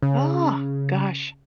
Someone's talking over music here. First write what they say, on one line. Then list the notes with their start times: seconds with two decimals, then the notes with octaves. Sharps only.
Oh, gosh.
0.02 C#3